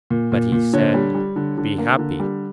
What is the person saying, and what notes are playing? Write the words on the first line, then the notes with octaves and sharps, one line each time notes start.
But he said: 'Be happy!
A#2
A#2
A#2
D3 C#5
G3
G3
D3
D3
A#3
D3
G3